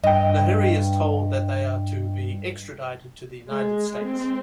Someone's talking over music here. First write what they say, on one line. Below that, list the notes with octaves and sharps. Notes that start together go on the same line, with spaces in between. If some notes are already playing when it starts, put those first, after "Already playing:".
Lahiri is told that they are to be extradited to the United States.
G2 D#5 G5
G#3
C4